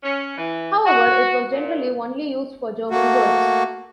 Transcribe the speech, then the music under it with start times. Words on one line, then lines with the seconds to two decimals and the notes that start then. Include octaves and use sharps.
However, it was generally only used for German words.
0.03 C#4
0.38 E3
0.85 F#4
1.52 A#2
2.91 A3 A#3 F#4